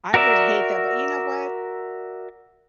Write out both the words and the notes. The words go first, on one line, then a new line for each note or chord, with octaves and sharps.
I would hate that, but you know what?
F#4 A#4 D5 E5